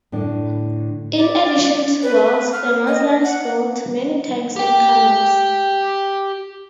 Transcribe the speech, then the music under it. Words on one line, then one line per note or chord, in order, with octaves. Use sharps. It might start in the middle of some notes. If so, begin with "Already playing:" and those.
In addition to wells, the Muslims built many tanks and canals.
A2 D3 D4
D5
B4
F6
D#5
F#5
G4 G5